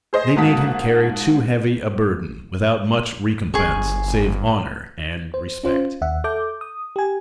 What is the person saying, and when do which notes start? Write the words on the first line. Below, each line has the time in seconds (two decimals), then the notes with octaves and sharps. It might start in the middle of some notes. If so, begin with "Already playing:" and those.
They made him carry too heavy a burden, without much recompense save honor and respect.
0.13 G#4 C5 D#5
0.36 G#2 A#3 F#4 A5 D#6 B6
3.54 G1 G#4 C#6
5.34 C5
5.64 C#4 F4 C5
6.02 D#2 E5 F#5
6.24 A4 E5 D6 G6
6.61 D#6
6.96 G4 G#5